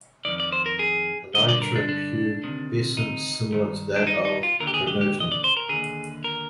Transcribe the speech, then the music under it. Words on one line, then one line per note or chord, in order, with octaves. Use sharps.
Elytra pubescence similar to that of pronotum.
F2 C3 D#3 D5
D5
C5
A#4
G#4
G2 D3 D#5
D5
A#4
D4
D4
D2 C3 D#3
D#4
G2 D#3
D4
D#4
D#4
F4
D#2 D3 A#4
G4
G#4
G4
G4
D#5
D5
C5
A#4
D#2 D3 G#4
A#4